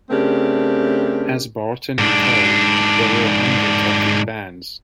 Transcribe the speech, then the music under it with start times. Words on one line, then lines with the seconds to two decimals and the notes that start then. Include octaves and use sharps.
As Barton recalled: There were hundreds of these bands.
0.10 C#3 A3 C4 D4 G4 A#4
1.98 G#2 D4